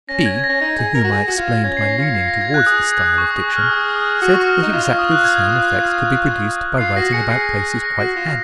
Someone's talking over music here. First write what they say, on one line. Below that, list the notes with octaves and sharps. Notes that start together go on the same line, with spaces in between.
B., to whom I explained my leaning towards this style of diction, said that exactly the same effect could be produced by writing about places quite handy.
C#4 A#6
G#6
A#6
C#4
D#4 A#6
G#4
A#4
F#4
G#4
F#4
F4
C#4 G#6
C#4 C7
A#6
F4 C#7
C7
A#6
G#6
F#6
G#4 D#6
D#6
C#6
D#6
C#6
F6
G#4 D#6
D#6
F#4 D#6
C#6
F6
D#4 F6
F4 F6
C#6
D#6
F#6
G#6
F4 C7
F#4 A#6
G#4 C#7
G#4 C7
A#6
F#4
F4